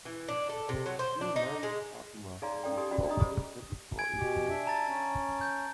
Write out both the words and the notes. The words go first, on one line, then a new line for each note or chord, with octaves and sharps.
You'll marry Fatima, and you'll both be happy for a year.
E3
D4
A4
C3
F#3
C5
D4
D#4
G#3
D#4 G#4 D5 F5 A#5 C6
C#4 A4 D5 G5
D#4 G4 G#4 C6 D#6
C#4 F#4 D5 B5
C#4 G4 D#5 A#5 D#6
G4 G#4 C5 B5 D#6
G#5 G#6 D7
B2 G4
D4 E5
A5 A#5 A6
C#4
G6